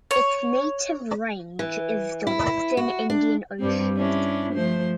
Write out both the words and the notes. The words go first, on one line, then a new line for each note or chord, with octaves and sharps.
Its native range is the Western Indian Ocean.
C#5
E3
E4
F#4
D4
G2 G3 C4
C#4 D4 E4
F3 A3 C5